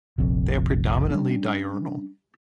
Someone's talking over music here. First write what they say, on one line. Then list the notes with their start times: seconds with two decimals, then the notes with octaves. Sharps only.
They are predominantly diurnal.
0.18 F1 A#1 F2
1.11 G3 C#4 D4